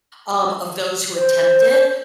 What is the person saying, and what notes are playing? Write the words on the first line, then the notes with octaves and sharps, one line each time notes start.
um, of those who attempt it
C5